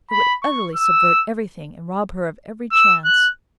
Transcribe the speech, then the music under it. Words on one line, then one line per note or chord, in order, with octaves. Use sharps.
It would utterly subvert everything and rob her of every chance.
B5
C#6
E6
E6
F#6